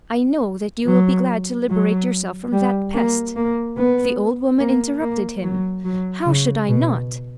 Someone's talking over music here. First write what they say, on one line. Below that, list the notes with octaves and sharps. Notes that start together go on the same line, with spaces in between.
I know that you will be glad to liberate yourself from that pest." The old woman interrupted him: "How should I not?
F#3
F#3
G3
A#3
A#3
B3
A#3
A#3
F#3
F#3
C#3
B2